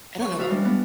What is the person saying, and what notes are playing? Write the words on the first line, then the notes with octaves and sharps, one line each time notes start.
I don't know,
C#5
D2 F#4 E5 F5
E3 G3 G#3 D4
G#3 B3 D4